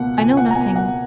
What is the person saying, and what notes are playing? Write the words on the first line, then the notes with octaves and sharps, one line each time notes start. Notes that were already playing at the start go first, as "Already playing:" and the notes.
I know nothing.
Already playing: C#2 B2 A#3 F#5
C#2 G#5
F#5
A#5
B2 A#3 G#5
F#5